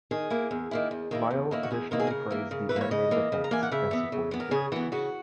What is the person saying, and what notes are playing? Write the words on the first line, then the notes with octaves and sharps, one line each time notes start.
Lyle additionally praised the animated effects and supporting characters.
D#3 G#4
A#3 E4
E2
D#3 A#3 E4
E2
D#3 A#3 E4
E2
D#3 A#3 E4
F#4
E2 G#4
D#3 A#3 E4 A#4
G#4
C#3 A#4
E3 A#3
C#3
E3 B4
A#3 C#5
C#3 D#5
E3 A#3
C#3
A#5
E3 A#3 G#5
F#5
C#3 E5
E3 B3
C#3
E3 B3
A#4
C#3 G#4
E3 B3 F#4
C#3 F#4